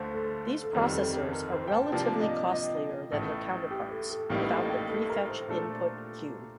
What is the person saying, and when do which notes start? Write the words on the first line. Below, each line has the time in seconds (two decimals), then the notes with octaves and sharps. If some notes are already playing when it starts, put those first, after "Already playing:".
These processors are relatively costlier than their counterparts without the prefetch input queue.
Already playing: D2 D3 A3 D4 C5 F5
0.14 A4
0.64 A4
0.72 G1 F2 D#3 G3 A#4
0.93 A4
1.13 G4
1.32 A#4
1.52 C5
1.67 G5
1.72 A5
1.92 C3 F3 A#3 D4 G5
2.21 D#5
2.52 D#5
3.12 A1 A2 A3
3.71 G4
3.90 A4
4.10 A4
4.29 A1 A2 G3 A#3 D#4 G4
4.50 A4
4.70 G4
4.89 A4
5.10 A#4
5.29 C5
5.48 A#2 A3 D4 A4